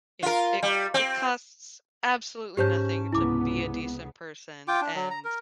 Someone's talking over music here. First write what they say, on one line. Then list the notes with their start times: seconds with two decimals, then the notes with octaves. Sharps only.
Yeah, it it costs absolutely nothing to be a decent person and
0.23 F4 A#4
0.63 G3
0.94 C4
2.57 G#2 C#4 G4 C5 A5 G6
3.13 C#2 C3 B3 E4 D6
4.68 F4 G5 D6
4.81 D4
4.95 F#3
5.10 A#5
5.24 A#4